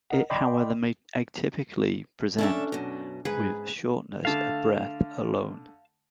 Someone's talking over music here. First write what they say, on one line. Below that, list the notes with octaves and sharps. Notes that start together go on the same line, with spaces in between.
It however may atypically present with shortness of breath alone.
A#4 D#5 F#5
D5 D#5 G5 B5 C6 D6
C#4 D4 A4 D5 E5
F#2 B2
G#2 G#4 B4
D3 A3 F5 A5